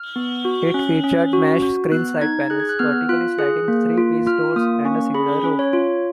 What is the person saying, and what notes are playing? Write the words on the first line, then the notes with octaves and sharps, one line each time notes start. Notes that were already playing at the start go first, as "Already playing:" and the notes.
It featured mesh screen side panels, vertically sliding three-piece doors, and a similar roof.
Already playing: F6
B3
F#4
C#4
C#4
F#4
F#4
B3 F#6
D#4 G#6
G#4 F#6
G#6
F#6
B3 F6
F4 F#6
G#4 F#6
A#3
F4
F4 F6
A#3 D#6
C#4 C#6
G#4 B5
C#4
C#5
F4